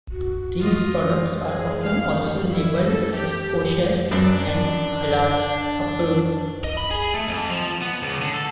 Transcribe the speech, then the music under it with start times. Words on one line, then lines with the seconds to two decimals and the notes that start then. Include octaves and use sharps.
These products are often also labeled as kosher and halal approved.
0.11 F#4
0.59 F4 D#5
1.45 G#4
1.83 F5
2.20 G3
2.49 E4
2.86 A4
3.15 G4
4.11 F#2 D4 D5
6.64 D#5
6.77 B5
6.91 G#4
7.14 A3
7.28 F2
7.50 F3
7.81 B3
8.02 C#2
8.21 D3
8.34 A4